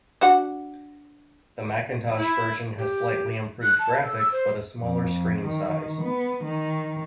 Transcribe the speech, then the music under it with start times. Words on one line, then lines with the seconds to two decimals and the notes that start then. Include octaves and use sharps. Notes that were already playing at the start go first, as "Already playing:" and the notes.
The Macintosh version has slightly improved graphics, but a smaller screen size.
0.21 D4 F#4 F#5
2.18 E4
2.78 G4
3.62 F#6
3.79 A5
4.03 A4
4.18 E6
4.32 C5
4.82 F2
5.45 D#3
6.02 B3
6.44 D#3